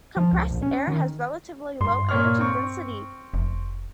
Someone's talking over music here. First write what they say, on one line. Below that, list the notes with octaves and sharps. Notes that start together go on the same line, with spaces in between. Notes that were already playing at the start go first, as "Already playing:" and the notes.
Compressed air has relatively low energy density.
F3
C#2
A#1
C#4
D#3
G2 C6
A#2 C#5 F6
C4 C#6
F1